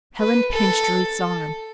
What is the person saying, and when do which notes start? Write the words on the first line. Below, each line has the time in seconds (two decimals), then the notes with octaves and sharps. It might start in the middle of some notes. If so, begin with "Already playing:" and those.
Helen pinched Ruth's arm.
0.20 B4
0.52 A4
1.19 A4